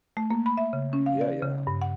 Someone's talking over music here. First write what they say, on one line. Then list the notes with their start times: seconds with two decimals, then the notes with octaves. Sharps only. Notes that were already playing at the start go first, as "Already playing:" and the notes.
Yeah, yeah.
0.17 A3
0.31 A#3
0.46 B5
0.57 E5
0.73 C#3
0.93 C#4
1.06 F5
1.21 D5
1.42 C#3
1.67 G2
1.82 F#5